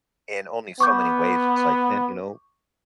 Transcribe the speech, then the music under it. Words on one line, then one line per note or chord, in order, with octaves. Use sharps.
in only so many ways, it's like, man, you know,
B3 C#6 D6 G6